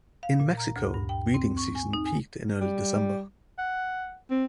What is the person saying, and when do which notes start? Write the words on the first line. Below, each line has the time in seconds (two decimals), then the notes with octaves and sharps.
In Mexico, breeding season peaked in early December.
0.23 F5
0.40 A#2
0.57 A#5
0.76 D2
0.94 G2
1.09 G5
1.34 C4
1.57 C#6
1.75 G#5
1.93 D#4
2.06 G#5
2.61 G3
3.58 F#5
4.30 C4